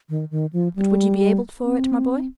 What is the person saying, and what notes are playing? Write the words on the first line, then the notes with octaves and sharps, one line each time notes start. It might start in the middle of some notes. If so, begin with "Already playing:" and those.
"But would you be able for it, my boy?"
D#3
D#3
F3
G3
C4